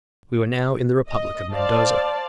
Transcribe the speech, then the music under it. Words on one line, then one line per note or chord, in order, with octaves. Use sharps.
We were now in the republic of Mendoza.
D#5
C5 D5 F5 A5